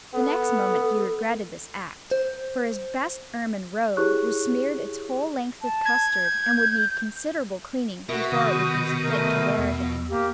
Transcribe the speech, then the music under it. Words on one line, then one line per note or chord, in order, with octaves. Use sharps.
The next moment he regretted this act, for his best ermine robe was smeared its whole length with custard, and would need considerable cleaning before it would be fit to wear again.
B3 A4
C5
E4 G4 G#4 C#5 C#6 F#6
A5
G#6
G6
B2 F#4 A#4 E5
C3 D#3 D#6
A3 A#4
E2
A#3 G4